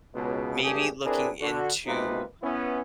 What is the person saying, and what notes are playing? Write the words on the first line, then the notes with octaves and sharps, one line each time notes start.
maybe looking into
C#2 B2
G#1 G2 A3 G4 G#4
C4 D4 E4 G#4 A#4 B4
D3 F#4
C3 G#3 A#3 D#4 F4 B4
B3 C#4 E4